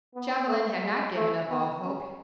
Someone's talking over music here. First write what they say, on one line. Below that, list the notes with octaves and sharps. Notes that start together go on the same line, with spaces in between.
Chauvelin had not given up all hope.
B3
A3
G#3
A3
B3
C#4